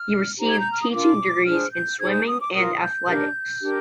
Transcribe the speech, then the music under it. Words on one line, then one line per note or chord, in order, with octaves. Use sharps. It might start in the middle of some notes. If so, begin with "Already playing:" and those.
He received teaching degrees in swimming and athletics.
Already playing: F6
D#4 G4 C5 A#5
G#6
G6
F6
D#6
D4 F4 A#4 D6
D4 G#4 C5 F6
G6
D#4 G#4 C5 G#6
G6
D#6
D6
F4 A#4 D#6
G6
D4 G4 A#4
D4 G4 A#4